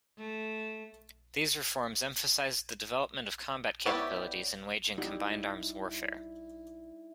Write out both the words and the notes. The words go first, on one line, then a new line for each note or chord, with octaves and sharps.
These reforms emphasized the development of combat capabilities in waging combined arms warfare.
A3
B3 E4 G4 C#5 D5
G3 D#4 E4 F#4 G4